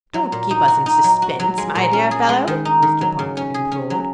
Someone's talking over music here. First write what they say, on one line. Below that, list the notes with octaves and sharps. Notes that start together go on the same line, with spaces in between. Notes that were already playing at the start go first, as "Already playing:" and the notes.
"Don't keep us in suspense, my dear fellow!" Mr. Parker implored.
F#3
A#2
D#4
F#4
D#4
F#3
F#4
F#3
G#3
A#2
C#4
G#4
G#3
D#3
D#4
D#3
F#3
C#3
C#4
G#4
C#4
F#3